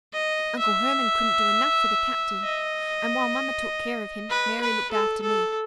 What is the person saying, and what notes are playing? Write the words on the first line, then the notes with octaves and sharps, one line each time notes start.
Uncle Hermann couldn't do enough for the captain, and while mamma took care of him, Mary looked after me.
D#5
E5
D#5
B4
B4
A4
A4